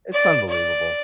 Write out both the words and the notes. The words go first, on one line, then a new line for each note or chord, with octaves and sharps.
It's unbelievable.
D5
D5